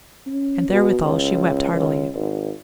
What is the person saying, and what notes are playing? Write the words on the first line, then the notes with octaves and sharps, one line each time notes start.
And therewithal she wept heartily.
C#4
B2
C#2
C#2
G#1